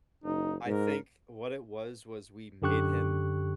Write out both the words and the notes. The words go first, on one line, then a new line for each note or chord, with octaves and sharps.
I think what it was, was we made him
F#1 D#4
G#2 A#4
F#2 D3 G4 C#6 F#6